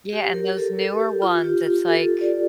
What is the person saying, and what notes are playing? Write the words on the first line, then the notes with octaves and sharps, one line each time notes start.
Yeah, and those newer ones, it's like
G4
A#4
A4
A4
G4
F4
F4
G4
F4
A4
D5